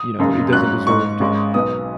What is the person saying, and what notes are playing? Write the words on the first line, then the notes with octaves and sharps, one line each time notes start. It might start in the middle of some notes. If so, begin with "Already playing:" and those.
you know, it doesn't deserve to
Already playing: D#6
F#1 F#2 C#3
G#1 G#2 F#3 C#4 F#6
G#2 G#3 D#4 C#6
G#1 G#2 G#3 C#4
B1 B2 F#3 B3 D#4 D#6